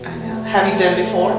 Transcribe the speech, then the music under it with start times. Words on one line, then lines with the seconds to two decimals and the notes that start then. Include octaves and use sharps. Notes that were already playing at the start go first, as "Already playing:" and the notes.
I know. Have you been before?
Already playing: E2 B2
0.21 A3